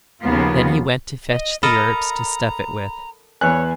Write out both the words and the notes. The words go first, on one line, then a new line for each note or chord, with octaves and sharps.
Then he went to fetch the herbs to stuff it with.
D#2 C#3 F3 B3 F4
D#5
A4 A#4 D#5 A#5 B5
E2 B4 C#5 G#5 F#6